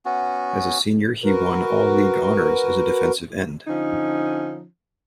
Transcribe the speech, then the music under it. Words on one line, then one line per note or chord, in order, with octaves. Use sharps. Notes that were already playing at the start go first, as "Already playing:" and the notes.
As a senior, he won All-League honors as a defensive end.
B3 C#4 F#4
F#4 A#4 B4
D3 F3 C#4 D#4